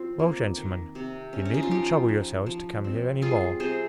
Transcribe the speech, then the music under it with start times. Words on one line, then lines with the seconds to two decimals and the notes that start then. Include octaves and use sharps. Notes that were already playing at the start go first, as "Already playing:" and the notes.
"Well gentlemen, you needn't trouble yourselves to come here any more!"
Already playing: F3 C4 F4
0.19 A#3
0.57 D#3
0.95 C3
1.33 C#4
1.45 C#4
1.54 D#4
1.63 F4
1.71 F3 D#4 G4
2.09 F3
2.46 F3
2.84 C4
3.22 G3 F4 G#4
3.60 C3 G#4 C5